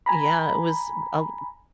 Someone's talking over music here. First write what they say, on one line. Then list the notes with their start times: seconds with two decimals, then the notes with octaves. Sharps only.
Yeah, it was a l
0.06 G#5 A#5 B5